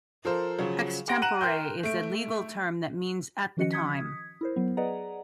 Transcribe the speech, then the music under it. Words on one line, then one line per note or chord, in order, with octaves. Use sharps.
"Ex tempore" is a legal term that means 'at the time'.
F3 A4 A#4 C5
C#3 F3 F#3
G4 F#5 G5 C6 A#6 D7
F#5 A#5 F#6 D#7 E7 F#7
A#4 G5 C6 G6
A3 D7
D#3 F3 C#4 F#4 D#5 C#7
D#6 G#6 B6
E4 A#4 C5
F#3 B3
G#4 B4 D5 D#5 F#5 A#5